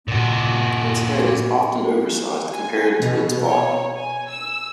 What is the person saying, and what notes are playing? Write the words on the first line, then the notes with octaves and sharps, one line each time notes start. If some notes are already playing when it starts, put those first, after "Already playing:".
Its head is often oversized compared to its body.
A#2 F#4
G#5
B2
C#5
G#5
E6